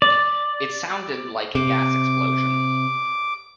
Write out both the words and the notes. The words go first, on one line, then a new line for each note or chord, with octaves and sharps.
It sounded like a gas explosion.
D5
C3 D6